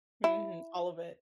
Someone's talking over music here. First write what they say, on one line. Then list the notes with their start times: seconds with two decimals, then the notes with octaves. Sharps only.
mhm, all of it.
0.24 E4